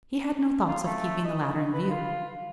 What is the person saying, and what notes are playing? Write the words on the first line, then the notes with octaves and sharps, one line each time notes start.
He had no thoughts of keeping the latter in view.
F4
A3
D#5
B4
F4